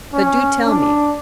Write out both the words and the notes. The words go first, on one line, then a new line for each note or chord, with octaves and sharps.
But do tell me.
C#4
D4